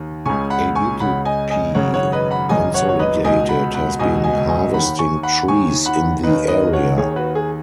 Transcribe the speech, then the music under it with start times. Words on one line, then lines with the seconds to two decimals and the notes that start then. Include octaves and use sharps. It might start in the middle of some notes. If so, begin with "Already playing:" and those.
Abitibi Consolidated has been harvesting trees in the area.
Already playing: D#2 D#3
0.26 C#2 C#3 G#5 C#6
0.50 F#5 B5
0.75 G#5 C#6
1.00 C#2 C#3 F#5 B5
1.25 D#5 G#5
1.50 D#5 G#5
1.75 G#1 F#2 C#3 C#5 F#5
1.94 C#5 F#5
2.12 B4 D#5
2.31 F#5 B5
2.49 G#1 F#2 C#3 D#5 G#5
2.74 C#5 F#5
2.89 C#5
2.99 B4 D#5
3.24 C#2 B2 D#5 G#5
3.49 F#5 B5
3.74 F#5 B5
3.99 C#2 B2 D#5 G#5
4.24 D#5 G#5
4.49 D#5 G#5
4.74 D#2 D#3 F#5 B5
4.98 G#5 C#6
5.23 F#5 B5
5.48 D#2 D#3 G#5 C#6
5.86 F#5 B5
6.23 D#2 D#3 B4 D#5
6.48 B4 D#5
6.73 C#5 F#5
6.98 D#2 D#3 G#4 C#5
7.16 F#4 B4
7.35 G#4